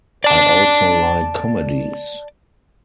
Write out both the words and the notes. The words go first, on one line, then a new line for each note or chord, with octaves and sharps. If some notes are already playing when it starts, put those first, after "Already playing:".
I also like comedies.
D5 A5